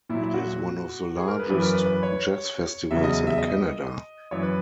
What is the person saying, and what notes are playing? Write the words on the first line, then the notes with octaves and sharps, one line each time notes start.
It is one of the largest jazz festivals in Canada.
A#2 F#3 E4
E4
F#4
G#4
A#4
B4
F#2 E3 B4
A#4
B4
B4
C#5
E2 C#3 F#3 E5
D#5
E5
D#5
D#5
F#2 E3 C#5
B4